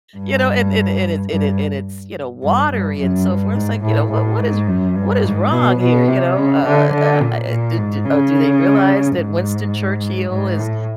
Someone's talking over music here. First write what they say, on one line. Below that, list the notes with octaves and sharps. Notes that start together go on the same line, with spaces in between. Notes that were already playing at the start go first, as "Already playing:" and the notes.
you know, and and and it's and it and it's you know, watery and so forth. It's like, you know, what what is what is wrong here, you know, uh, uh, uh, d d uh, do they realize that Winston Churchill is
G2
G2
G2
G2
F#2
G2
G#2
A2
A2
G#2
F#2
G2
G#2
B2
B2
C3
C#3
D3
D3
A#2
A#2
G#2
C#3
G#2
G#2
A2